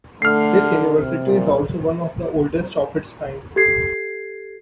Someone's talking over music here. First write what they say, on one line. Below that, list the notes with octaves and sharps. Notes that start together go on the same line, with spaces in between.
This university is also one of the oldest of its kind.
D3 A3 F6 C7
C3
A#2
G4 A4 G#6 C7